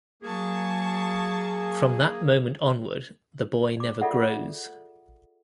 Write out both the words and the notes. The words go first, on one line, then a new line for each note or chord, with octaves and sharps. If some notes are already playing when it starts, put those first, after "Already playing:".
From that moment onward, the boy never grows.
F#3 A#3 G#4 A5 C#6
D5 D6
F4 G#4 A4 D5 E5 F#5